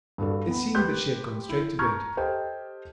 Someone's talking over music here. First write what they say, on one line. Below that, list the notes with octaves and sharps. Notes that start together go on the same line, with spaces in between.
It seemed that she had gone straight to bed.
G2 D4 F#4 A4
B3 B5
G4 B4 C6 F#6 G6
E4
A5 A#5 C#6 F6 G6 G#6
G4 A4 C5 D#5 G5 A5